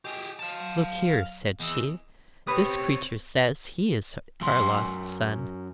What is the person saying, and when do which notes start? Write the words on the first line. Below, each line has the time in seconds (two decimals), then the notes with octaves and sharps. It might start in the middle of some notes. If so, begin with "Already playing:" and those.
'Look here,' said she, 'this creature says he is our lost son.
0.05 G4 G#4 D#5
0.39 F5 A5
0.60 F#3
1.60 E2 D#5 D#6 E6
2.47 B2 C4 G4 B4 C#5 D#6
4.41 F#2 C6